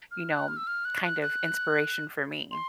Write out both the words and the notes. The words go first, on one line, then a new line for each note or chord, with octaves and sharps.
you know, kind of inspiration for me.
F6
F#6
F6
E6
F6
F#6
F#6
F#6
C6